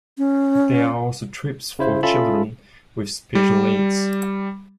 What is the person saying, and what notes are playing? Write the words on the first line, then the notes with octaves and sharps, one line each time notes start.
There are also troops for children with special needs.
C#4
C#3 E4 C5
C#4 F4 A4 E5 A5 B5
G3